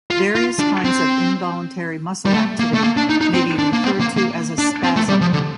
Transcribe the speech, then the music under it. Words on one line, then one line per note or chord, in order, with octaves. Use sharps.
Various kinds of involuntary muscle activity may be referred to as a "spasm".
F4
F4
D4
C4
G3
A3
A#3
A3
A#3
D4
D#4
D#4
C4
D4
A#3
C4
A#3
A#3
D4
C4
A3
G3
F3
D3